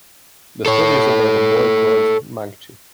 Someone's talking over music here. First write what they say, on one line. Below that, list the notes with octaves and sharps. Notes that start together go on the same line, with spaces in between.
The story is about a boy called Mangchi.
A4 C#5